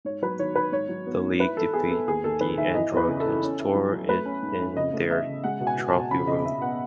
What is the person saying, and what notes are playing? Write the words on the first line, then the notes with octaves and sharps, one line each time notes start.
The League defeat the android, and store it in their trophy room.
G#2 C#5
F#3 B4
D#3 C#5
D#3 B4
G#2 C#5
F#3
B3
G#2
E4 B4
E3 A4
B3 G#4
B3 A4
D#2 G#4
D#2 A4
D#3 B4
D#3 E5
E3 D#5
E2 B4
C#3
E3 A4
C#4
E4
F#3
F#3
A3 B4
C#4
G#2
C#4
C#3 D#5
A3
E3 E5
C#3
G#3 F#5
B2
G#5
B2
A5
B2
C#3 B5
C#3 D#5
C#3 E5
B3 F#5